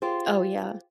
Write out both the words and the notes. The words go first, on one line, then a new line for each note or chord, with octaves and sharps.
Oh, yeah.
F4 G4 G#4 C5